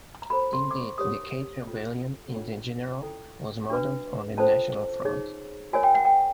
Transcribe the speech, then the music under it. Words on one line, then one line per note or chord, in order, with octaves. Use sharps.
Indeed, the Cade rebellion in general was modelled on the National Front.
A#5
F#4 A4 C5 B5
C6
D6
C#6
D#4 G4 A#4 C#5 D#6
C#4 F4 A4
D4 F4 A4 C#5
C#4 E4 A4
D4 F#4 B4
C#4 F4 A4 C5 A5
D#4 G#4 C#5
F#4 A#4 C#5 G#5
G5
F#5
G5